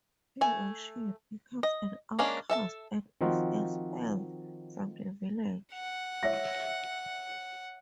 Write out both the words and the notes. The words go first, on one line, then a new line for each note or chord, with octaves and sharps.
He or she becomes an outcast and is expelled from the village.
A3 G#5
D#5
G#3 A#3 C#4 D4
A4 E5 A5
D#3 F3 C4 D#4 F4 F#4
F#5
C#5 E5 A#6